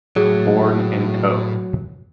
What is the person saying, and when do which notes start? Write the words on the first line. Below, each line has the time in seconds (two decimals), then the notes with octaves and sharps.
Born in Co.
0.16 A2 F#3 G#4